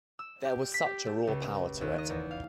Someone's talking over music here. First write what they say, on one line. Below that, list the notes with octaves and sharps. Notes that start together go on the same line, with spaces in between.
There was such a raw power to it.
E6
G4
B6
G4
A3
C#2
D#2
D#5
E2
F5